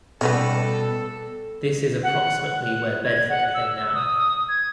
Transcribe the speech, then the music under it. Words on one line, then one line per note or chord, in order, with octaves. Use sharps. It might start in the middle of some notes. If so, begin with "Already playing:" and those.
This is approximately where Bedford play now.
B2 G3 B3 C#4 D#4 F#4 A4 B4
F#5
F#6
G#6
F#5
E6
D#6
G#6